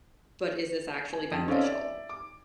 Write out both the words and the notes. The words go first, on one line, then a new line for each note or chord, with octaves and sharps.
but is this actually beneficial?
G#5
F2
C4 C#4 A4 D5 D#5 F5
D5 E5
D6